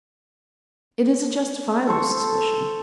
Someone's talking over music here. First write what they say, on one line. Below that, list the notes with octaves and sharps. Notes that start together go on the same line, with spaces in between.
It is a justifiable suspicion.
A4 C5 C#6